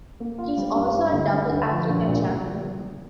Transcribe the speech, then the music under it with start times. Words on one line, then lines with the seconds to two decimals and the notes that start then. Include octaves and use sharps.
He is also a double African champion.
0.20 A#3
0.38 F4
0.58 G3
0.76 G2
0.95 G3
1.13 D2
1.33 D3
1.52 D2
1.71 F3
1.90 A#1
2.08 A#2